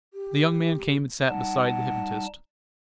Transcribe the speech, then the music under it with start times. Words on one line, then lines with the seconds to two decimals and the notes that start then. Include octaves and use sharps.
The young man came and sat beside the hypnotist.
0.14 G4
1.29 G3 D#4 F#5 A5